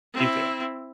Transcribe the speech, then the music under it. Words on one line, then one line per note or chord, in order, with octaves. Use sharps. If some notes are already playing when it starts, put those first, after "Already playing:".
You too.
C4 E4